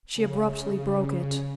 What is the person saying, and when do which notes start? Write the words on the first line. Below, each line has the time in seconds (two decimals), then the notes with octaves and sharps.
She abruptly broke it.
0.15 C#3